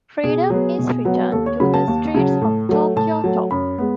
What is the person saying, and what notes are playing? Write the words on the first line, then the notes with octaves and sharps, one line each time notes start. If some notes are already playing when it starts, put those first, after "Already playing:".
Freedom is returned to the streets of Tokyo-to.
B2 G#4
F#3 B3
B2
F#3 B3
D#2 A4
C#5
C#3 F#3 B5
A5
D#2
C#3 F#3
A2
F#3 A3
A2 A5
F#3 A3
F#2 B5
G#3 B3